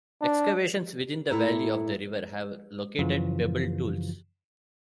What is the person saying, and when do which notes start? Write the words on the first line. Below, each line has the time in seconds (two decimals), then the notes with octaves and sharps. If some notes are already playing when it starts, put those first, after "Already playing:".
Excavations within the valley of the river have located pebble tools.
0.21 D4
1.31 A2 E4 A4 A#5
2.99 F#2 C#3 E3 F3 F4